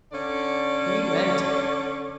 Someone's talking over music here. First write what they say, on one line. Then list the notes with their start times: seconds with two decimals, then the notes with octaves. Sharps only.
He meant it.
0.11 D3 C#4 D5